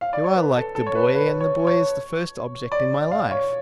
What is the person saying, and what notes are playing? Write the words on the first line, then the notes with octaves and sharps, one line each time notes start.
You are like the boy, and the boy is the first object in my life.
F5
D5
C#5
B4
A4
A4
C#5
B4
B4
C#5
C#5
D5
F5
C#5